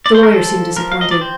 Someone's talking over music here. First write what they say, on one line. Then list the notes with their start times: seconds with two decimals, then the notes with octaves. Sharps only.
The lawyer seemed disappointed.
0.06 D5
0.15 C5
0.23 A#4
0.32 F3 A4
0.76 F3 A#4
0.92 F5
1.01 D#5
1.11 D5
1.21 C4 C5